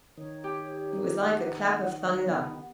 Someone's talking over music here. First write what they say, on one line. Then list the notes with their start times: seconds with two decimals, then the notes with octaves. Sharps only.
It was like a clap of thunder.
0.18 D#3 C#5
0.44 G4
1.20 F#5
2.25 B3